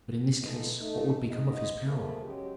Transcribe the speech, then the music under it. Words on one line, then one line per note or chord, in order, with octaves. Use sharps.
But in this case what would become of his power?
E3 F3 G#3 A3 B3 D#4
A3 D#4
G#2 D#5
F3 A3 A#3 G#4
F#3 G#3 C#4 G4